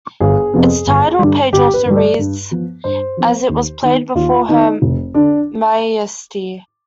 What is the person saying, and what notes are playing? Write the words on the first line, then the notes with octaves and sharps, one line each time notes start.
Its title page also reads: As it was played before her Maiestie.
G1 G#4
F2 C3 F3 B3
G1
G2 D3 G3
G1 G4
B4
G2 D3 G3
D5
G2
F3 B3
G2 C5
F3 B3
D#2
D#3 B3
D#2 F4
D#3 B3 D#4
F1
D3 D4